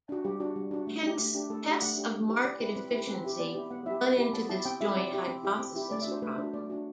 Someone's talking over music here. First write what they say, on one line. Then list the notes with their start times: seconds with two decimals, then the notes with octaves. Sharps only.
Hence tests of market efficiency run into this joint hypothesis problem.
0.09 D4 F#4
0.24 G3 G4
0.40 D4 F#4
0.56 G3
0.71 D4 F#4
0.87 A3
1.03 D4 G4
1.19 A3
1.35 D4 G4
1.50 A3 A4
1.66 D4 G4 D5
1.82 A3 F#5
1.97 D4 G4
2.13 C4
2.29 E4 G4
2.45 C4 D5
2.60 E4 G4 B4
2.76 C4 B4
2.91 E4 G4 B4
3.07 C4 B4
3.23 E4 G4
3.39 B3 D5
3.55 E4 G4
3.70 B3 F#5
3.86 E4 G4 E5
4.02 B3
4.18 E4 G4
4.33 B3 A5
4.50 E4 G4 A5
4.65 C4 G5
4.81 E4 G4 E5
4.96 C4 D5
5.12 E4 G4
5.28 C4
5.44 E4 G4
5.59 C4
5.75 E4 G4
5.91 A3 D5
6.02 E5
6.07 D4 F#4 C5
6.22 A3 B4
6.38 D4 C5
6.43 F#4
6.53 A3 D5
6.70 D4 F#4